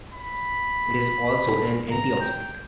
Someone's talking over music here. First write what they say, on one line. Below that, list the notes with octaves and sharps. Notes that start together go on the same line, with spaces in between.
It is also an antioxidant.
B5
A#5
G5